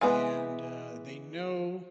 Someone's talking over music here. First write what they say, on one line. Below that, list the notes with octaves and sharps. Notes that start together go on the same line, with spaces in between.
and, uh, they know
E3 G#3 B3